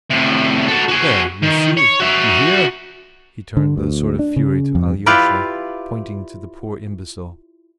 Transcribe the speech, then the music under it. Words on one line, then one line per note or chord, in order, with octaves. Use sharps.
"There, you see, you hear?" he turned with a sort of fury to Alyosha, pointing to the poor imbecile.
A2 C3
F#4 A4
F#4 G#4
D#3
C#5
F#4 E5
D3
D2
D4
C#3
F2
E4 F4 G4 B4 D5